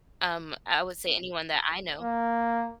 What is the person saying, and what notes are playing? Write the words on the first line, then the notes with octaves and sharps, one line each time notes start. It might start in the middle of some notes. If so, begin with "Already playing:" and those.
Um, I would say anyone that I know.
A#3